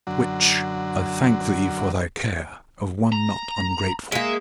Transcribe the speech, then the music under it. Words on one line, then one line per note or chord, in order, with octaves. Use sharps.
'Witch, I thank thee for thy care of one not ungrateful.
F#2 D3 F#3
A#5
G#3 A#3 E5